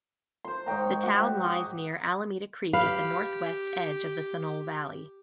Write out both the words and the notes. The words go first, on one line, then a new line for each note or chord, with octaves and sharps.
The town lies near Alameda Creek at the northwest edge of the Sunol Valley.
C5 C6
G#2 C#5 G5 A#5
F#4 G4
F#4 G#4
G4 B4 F5